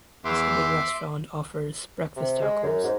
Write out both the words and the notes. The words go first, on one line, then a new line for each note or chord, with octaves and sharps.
The sibling restaurant offers breakfast tacos.
E2 E5 C6 D6
C3
G#3
F#2
G#2